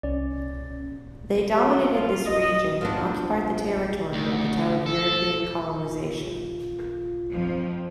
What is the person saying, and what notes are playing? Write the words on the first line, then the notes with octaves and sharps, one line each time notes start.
They dominated this region and occupied the territory at the time of European colonization.
C2 C#4 D5
F#3
F4
D#5
F3 B3 D4
D2
A4
F4
F2 F3